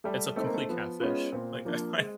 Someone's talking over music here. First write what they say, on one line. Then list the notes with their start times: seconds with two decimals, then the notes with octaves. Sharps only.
it's a complete catfish. Like, I I
0.04 G3 A3
0.36 A3 C4 D#4
0.46 A#3
0.54 A3
0.69 F3 B3
1.00 G#3 B3 C#4 F4
1.32 A#2 C4
1.65 F3 A#3 D4
1.97 G#3